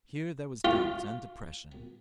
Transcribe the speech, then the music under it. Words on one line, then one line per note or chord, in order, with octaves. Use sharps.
Here there was doubt and depression.
F4